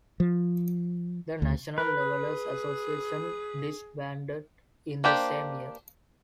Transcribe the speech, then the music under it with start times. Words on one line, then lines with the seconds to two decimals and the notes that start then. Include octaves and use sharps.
The National Levelers Association disbanded in the same year.
0.20 F3
1.42 D2
1.78 A#4 B4
2.00 G#4
5.04 A#3 D4 G4 C5